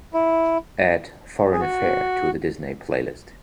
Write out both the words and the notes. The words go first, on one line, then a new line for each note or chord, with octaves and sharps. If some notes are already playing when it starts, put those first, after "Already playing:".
Add Foreign Affair to the disney playlist.
E4
G#4
F#4